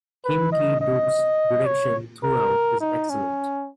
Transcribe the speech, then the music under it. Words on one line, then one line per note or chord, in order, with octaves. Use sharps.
Kim Ki-duk's direction throughout is excellent.
B4
D#5
D#5
C#5
A#4
D#4
C#4